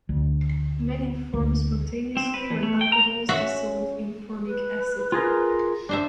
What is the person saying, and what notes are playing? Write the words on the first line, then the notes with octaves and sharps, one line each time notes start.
Many form spontaneously when alcohols dissolve in formic acid.
D2
D2
C4
B4
E2
A3
G5
A#5
C#4 F#4 E5
B4
F4 G#4 A#4
D4 C5 E5